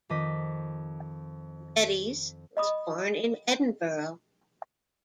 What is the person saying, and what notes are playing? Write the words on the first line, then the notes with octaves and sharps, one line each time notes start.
Geddes was born in Edinburgh.
F2 D#3 D#5 D6 B6
D#5 B5 D#6